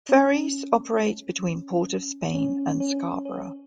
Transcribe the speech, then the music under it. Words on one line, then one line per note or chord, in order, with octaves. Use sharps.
Ferries operate between Port of Spain and Scarborough.
C#4
C#4
C#4
C#4